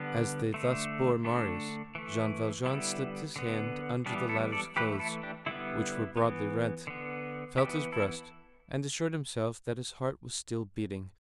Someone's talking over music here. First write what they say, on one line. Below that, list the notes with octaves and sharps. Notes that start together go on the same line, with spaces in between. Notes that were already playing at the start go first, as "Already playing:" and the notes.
As they thus bore Marius, Jean Valjean slipped his hand under the latter's clothes, which were broadly rent, felt his breast, and assured himself that his heart was still beating.
Already playing: D3 G3 B3
D3 A3
D3 A3 D4
E3 A3
D3 G3 B3 E4
D3 B3
E3 G3 B3 D4 G4
E4 A4
A4 D5
E3 A3 G4 B4
E4 A4
D4 G4
D3 G3 B3 E4
E3 B3
D3 B3
E3 B3 D4 G4
E4 A4